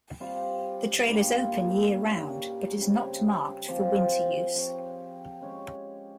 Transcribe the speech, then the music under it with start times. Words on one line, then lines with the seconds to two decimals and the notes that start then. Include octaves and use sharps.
The trail is open year-round, but is not marked for winter use.
0.20 G3 C4 F4
1.07 G2 G3 A#3 F4
1.94 G3 A#3 C#4
2.81 C#3 G3 C4
3.68 F3 C4 G4
4.54 F3 C4 G4 C#5
5.41 G#3 C#4 G4 C#5